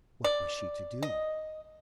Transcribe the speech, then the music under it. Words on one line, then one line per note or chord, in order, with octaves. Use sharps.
What was she to do?
D5
D#5